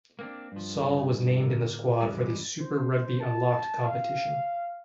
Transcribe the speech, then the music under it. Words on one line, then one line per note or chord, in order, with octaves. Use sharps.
Saal was named in the squad for the Super Rugby Unlocked competition.
A#3 C4 D4
G2 F3
C#3
A2 D3 A#3
C#2 F#2 E3 G3 G#3
C5
A5
F5